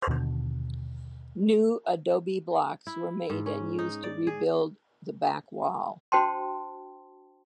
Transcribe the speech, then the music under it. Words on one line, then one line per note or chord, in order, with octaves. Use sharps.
New adobe blocks were made and used to rebuild the back wall.
D#2 B2 D3
E4
G#2
C#4
D#4
D5
G#4
D4 F#4 C5 G5 A5 C6